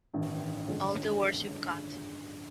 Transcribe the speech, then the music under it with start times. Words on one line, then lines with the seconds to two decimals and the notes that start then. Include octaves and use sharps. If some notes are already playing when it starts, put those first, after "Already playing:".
All the words you've got.
0.14 A1 G2 D#3
0.67 G2 D3 F3 G#3 C#4